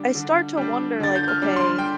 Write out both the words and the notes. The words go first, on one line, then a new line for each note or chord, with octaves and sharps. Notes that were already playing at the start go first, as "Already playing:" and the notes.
I start to wonder like, “Okay“
Already playing: D3 G3 D4
D3
G3 D4
D3 A6
G6
F6
G3 D4
C6
G5